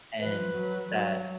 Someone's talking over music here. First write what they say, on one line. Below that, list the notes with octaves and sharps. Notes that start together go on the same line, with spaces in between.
And, that
F3 B4
F#3
F#3